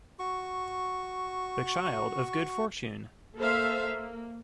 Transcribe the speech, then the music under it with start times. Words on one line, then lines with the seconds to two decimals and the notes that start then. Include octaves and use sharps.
The child of good fortune!
0.19 F#4 C#6
3.36 A#3 A4 C5 E5 F5
3.82 A#3